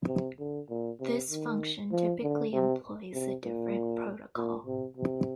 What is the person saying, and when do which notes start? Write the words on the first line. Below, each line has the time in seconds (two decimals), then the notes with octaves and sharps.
This function typically employs a different protocol.
0.08 C3
0.39 D3
0.70 A#2
1.00 C3
1.30 D#3
1.92 F3
2.22 D3
2.53 C3
3.14 C3
3.44 A#2
4.36 A#2
4.66 C3
4.97 C3